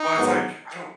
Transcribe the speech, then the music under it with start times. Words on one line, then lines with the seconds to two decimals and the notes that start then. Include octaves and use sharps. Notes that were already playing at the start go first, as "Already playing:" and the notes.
Well, it's, like, I don't
Already playing: D#4
0.16 G#2 D#3 F#3 B3